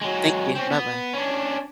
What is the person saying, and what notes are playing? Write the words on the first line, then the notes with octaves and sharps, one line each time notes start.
Thank you. Bye-bye.
F#3 G#3
C4 C#4
B3
C#4 D4